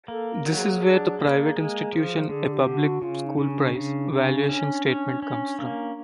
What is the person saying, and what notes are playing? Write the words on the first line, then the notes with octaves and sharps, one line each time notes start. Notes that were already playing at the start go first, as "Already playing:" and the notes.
This is where the "private institution a public school price" valuation statement comes from.
A#3 A4
A#4
F#3
G#4
D4
A#3
G#3
F3
D3 G#4
G4
D3
F#4
C#3 F4
D#4
C#3
D4
C#3 D4
C#3
C#4
C#4
C#4
A#3